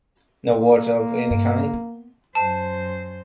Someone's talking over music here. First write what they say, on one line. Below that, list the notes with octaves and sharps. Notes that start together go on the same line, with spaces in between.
No word of any kind?
A#3
G2
B3
F#2 C5 A5